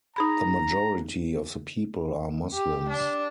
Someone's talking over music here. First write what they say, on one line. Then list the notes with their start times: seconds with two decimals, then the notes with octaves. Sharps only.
The majority of the people are Muslims.
0.16 D#4 G#4 A#5 B5
2.53 G4
2.89 D4